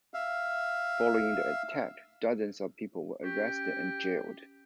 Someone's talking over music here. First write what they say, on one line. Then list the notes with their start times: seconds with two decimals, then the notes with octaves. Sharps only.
Following the attack, dozens of people were arrested and jailed.
0.14 E5 F5
3.24 C#4 G4